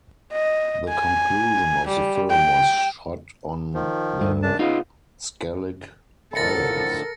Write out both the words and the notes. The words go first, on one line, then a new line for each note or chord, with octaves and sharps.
The conclusion of the film was shot on the Skellig Islands.
D#5
G#5
G3
G5
D#3 F3
G2
F#2 D4 A5
C#3 B3 D#4 F4
A2 D3 F3 A4 A#4 A6 A#6 C#7